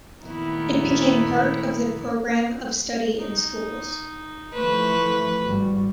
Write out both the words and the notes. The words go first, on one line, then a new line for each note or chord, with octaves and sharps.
It became part of the program of study in schools.
A#2 D#3 A3 B3 E4 A#4
D#4
E3 F3 A3 B4 C5 C#6
G#1 G3 F#4